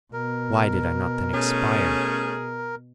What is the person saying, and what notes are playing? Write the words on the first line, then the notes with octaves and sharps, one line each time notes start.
Why did I not then expire!
B2 A#4
A3 C#4 G#4